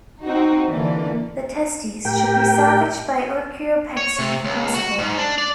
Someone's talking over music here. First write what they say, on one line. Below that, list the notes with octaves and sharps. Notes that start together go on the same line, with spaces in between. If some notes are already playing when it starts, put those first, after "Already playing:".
The testes should be salvaged by orchiopexy if possible.
C4 D#4 F#4
D3 E3 A#3 D5
A2 G4 A#4 G5
C#5
C3
C#2
F#4
G#2
D4
D5